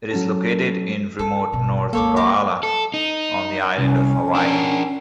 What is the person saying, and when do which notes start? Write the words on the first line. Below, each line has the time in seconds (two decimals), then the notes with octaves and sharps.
It is located in remote North Kohala on the Island of Hawaii.
0.11 F#3 C#4 A4
1.19 C#4 A4
1.52 G1 B2
1.93 C#2 D#3 A#3 A4 C#5 D6
2.16 G4 A#4 D6
2.63 A4
2.94 D#4
3.78 C2 C#4
4.35 D4 A#4